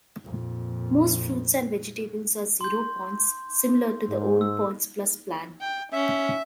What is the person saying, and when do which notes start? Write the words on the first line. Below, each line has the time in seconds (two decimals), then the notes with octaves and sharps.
Most fruits and vegetables are zero points, similar to the old PointsPlus plan.
0.25 F2 A#2
2.61 C6 G6
4.09 G#2
4.41 E6
5.61 G5
5.93 C#4 E5